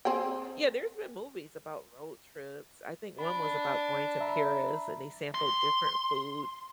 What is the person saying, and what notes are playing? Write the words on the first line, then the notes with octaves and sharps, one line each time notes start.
Yeah, there's been movies about road trips. I think one was about going to Paris and they sampled different food,
C4 G#4 G5
D4 B5
E5 A#5 B5
C6